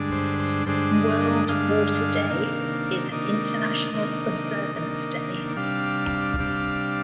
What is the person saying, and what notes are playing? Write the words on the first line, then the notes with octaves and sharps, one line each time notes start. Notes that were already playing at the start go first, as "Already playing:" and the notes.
World Water Day is an international observance day.
Already playing: G2 D3 G#3 D4
C5
C5
G2 D3 G#3 D4 C5
D#5
D#5
G2 D3 G#3 D4 F5
C3 D#3 A#3 D4
C3 D#3 A#3 D4 D#5
C3 D#3 A#3 D4
C3 D#3 A#3 D4
C3 G3 D4 F5
C3 G3 D4